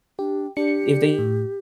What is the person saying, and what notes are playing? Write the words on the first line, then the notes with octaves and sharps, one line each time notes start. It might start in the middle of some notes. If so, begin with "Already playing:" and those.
If they
D4 G4
D4 G4 C#7
A2